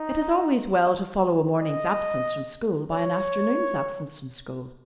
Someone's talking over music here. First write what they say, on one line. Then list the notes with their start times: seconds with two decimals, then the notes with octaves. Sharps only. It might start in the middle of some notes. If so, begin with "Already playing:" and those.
It is always well to follow a morning's absence from school by an afternoon's absence from school.
Already playing: D#4
1.61 D#5
2.91 C#5